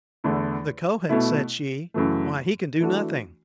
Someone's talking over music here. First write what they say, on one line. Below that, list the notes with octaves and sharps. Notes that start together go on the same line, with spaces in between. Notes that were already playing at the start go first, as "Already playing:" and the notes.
"The Kohen," said she; "why, he can do nothing."
E2 D3 A3 E4
B2 A3 E4
F#2 C#3 E3 A3
E3 A3 D4 F#4